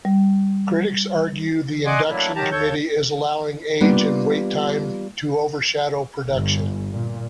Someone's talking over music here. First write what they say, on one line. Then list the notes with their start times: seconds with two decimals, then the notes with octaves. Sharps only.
Critics argue the induction committee is allowing age and wait time to overshadow production.
0.05 G3
1.86 D5 D#5 F#5 G#5 C6 D6
2.09 F#3 A3 A#3 D4 E4
2.35 D#3 F#3 G4 A5 A#5
2.52 D#2 A4 C#5 C#6 G6
3.81 G3 A#3 B3 D4 F4 G4
6.26 G1
6.92 A#2